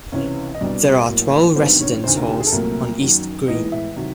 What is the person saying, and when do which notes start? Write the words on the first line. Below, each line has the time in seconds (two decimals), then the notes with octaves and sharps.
There are twelve residence halls on East Green.
0.12 C#2 C3 E3 C#4 C#5
0.54 D#5
0.60 C2 B2 G3 D4 D5
0.84 G#4
1.08 A2 F#3 A#3
1.56 G2 D#3 F#3 B3 C4 C5
1.80 C#4 C#5
2.04 D2 C3 D#3 C4 C5
2.16 A#3 A#4
2.29 G4
2.40 G#4
2.47 A4
2.52 C2 A#2 F#3 A3 A#3 A#4
3.00 F#2 D#3 F#3
3.48 A2 E3 G#3 B3 D#4 D#5
3.72 E4 E5
3.96 C3 D#3 F#3